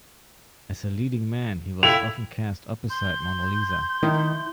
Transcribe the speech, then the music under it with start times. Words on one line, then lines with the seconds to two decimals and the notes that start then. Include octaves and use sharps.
As a leading man, he was often cast opposite Mona Lisa.
1.83 E4 A4 F5 G5 F7
2.90 C6 G6
4.03 D#3 E4